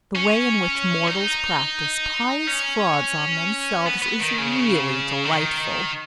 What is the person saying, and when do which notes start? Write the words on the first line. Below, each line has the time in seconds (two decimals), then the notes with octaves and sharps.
The way in which mortals practise pious frauds on themselves is really delightful!
0.16 C#4
1.08 D#4
2.48 C#4
3.86 B3
4.02 B3
4.20 D#3
4.38 C#3
5.25 D#3